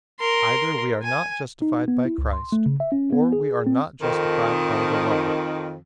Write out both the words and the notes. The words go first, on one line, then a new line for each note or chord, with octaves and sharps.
Either we are not justified by Christ, or we are not justified by the Law.
A#4 C6
G#5
D#4
B3
E4
C#2
C6
A3
C#3
E5
C#4
B3
G#4
C4
F2 D#3